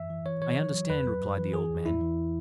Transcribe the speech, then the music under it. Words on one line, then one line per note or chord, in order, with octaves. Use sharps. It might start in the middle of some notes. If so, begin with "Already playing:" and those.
"I understand," replied the old man.
Already playing: F#2 E3 E5
E3
E3 C#5
E3 C#5
F#3
F#3
E2 B4
F#3
F#2
E3
E3 G#4
E2
E2 E4
E3